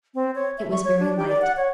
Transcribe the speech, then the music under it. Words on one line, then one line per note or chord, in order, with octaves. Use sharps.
It was very light.
C4
C#5
E5
C#6
C#5
D4
G4
D5
F#5
C#5